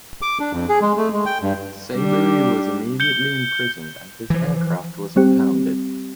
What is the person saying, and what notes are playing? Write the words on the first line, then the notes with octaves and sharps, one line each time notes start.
Saibory was immediately imprisoned and his aircraft was impounded.
D6
D4
F2
G#4
G#3
A3
G#3
G5
G2
G3 D4
G6 C#7 G7
E3 F3
G3 C4 G4